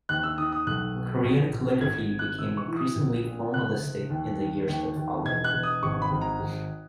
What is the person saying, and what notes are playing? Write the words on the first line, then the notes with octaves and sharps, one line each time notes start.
Korean calligraphy became increasingly formalistic in the years that followed.
D#2 F#6
E6
D#3 D#6
D#6
B1 F#6
B2
A#1
A#1
G#1 G#6
G#1
F#6
E1 E6
C#6
E3
D#6
A#1
A#2
F#1 F#6
F#1
D#2
D#3
D#2
D#2
E1 G#6
F#6
E1
D#6
G#1 C#6
B5
G#1
A#5
G#1